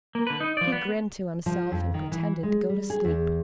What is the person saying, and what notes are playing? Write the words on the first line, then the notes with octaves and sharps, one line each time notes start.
He grinned to himself and pretended to go to sleep.
A#3
D3 B4
D#4
F3 D5
B3
F3
F2
D#3
E3
G#3
G3
G#4
E2